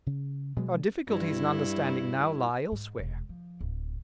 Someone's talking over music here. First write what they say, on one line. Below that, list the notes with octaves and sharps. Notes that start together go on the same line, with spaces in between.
Our difficulties in understanding now lie elsewhere.
C#3
B2 F#3 G#3 B3
G2 E4
G#2
E1
F3
D1